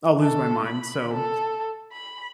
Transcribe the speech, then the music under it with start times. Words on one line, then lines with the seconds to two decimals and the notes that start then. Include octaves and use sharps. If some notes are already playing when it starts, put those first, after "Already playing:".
I'll lose my mind, so,
0.21 A4
0.66 B5
1.14 A4
1.92 B5